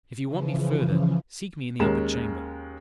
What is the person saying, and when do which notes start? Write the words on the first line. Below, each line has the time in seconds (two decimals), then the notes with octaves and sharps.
"If you want me further, seek me in the upper chamber."
0.24 C#3 E3 F3
1.80 D#2 G#3 C#4 A#4 E7